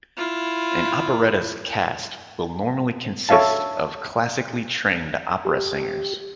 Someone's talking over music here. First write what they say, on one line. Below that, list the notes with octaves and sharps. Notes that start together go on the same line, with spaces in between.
An operetta's cast will normally consist of classically trained opera singers.
E4 F4
A4 C#5 E5 F5 A5
G4